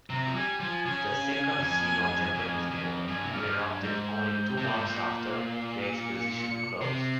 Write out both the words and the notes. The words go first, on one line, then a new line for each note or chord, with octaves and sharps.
The Second Sino-Japanese War erupted only two months after the Exposition closed.
C3 A#5
F3
G3 G#5
F3 G#5
C#3 G#5
F2
F2
F2
G2 G#5
C3
A#2
G#2 F6
G2
G#6
G#2 G6
C3
A#2
G#2
A#2
C7
C7
C#7
C3 C7